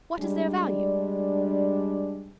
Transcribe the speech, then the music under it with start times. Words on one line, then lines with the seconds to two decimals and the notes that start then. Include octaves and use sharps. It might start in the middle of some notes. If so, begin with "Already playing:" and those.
"What is their value?"
0.20 G3 G#3 D4